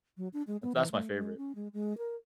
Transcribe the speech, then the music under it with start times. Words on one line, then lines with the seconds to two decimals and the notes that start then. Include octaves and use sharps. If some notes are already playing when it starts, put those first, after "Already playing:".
th that's my favorite.
0.17 F#3
0.33 D4
0.47 G#3
0.62 B3
0.75 E3
0.91 A3
1.12 G#3
1.37 C#4
1.55 G#3
1.73 G#3
1.98 A#4